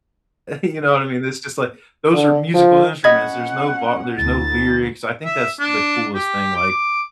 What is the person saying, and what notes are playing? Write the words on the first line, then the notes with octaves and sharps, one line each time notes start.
you know what I mean? It's just like those are musical instruments. There's no vo there's no lyrics. I think that's the coolest thing like,
D3
F3
C#4 D#5 F#5 B5 G#6
D2 E4 A6
E5
D4
G4
D6
D6